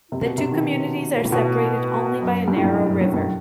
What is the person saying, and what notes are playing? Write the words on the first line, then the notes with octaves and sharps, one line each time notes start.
The two communities are separated only by a narrow river.
C3
B2
C3
D#3
B2
A2
B2
F#2
G2
A2
G2
F#2
F#2
G2
G2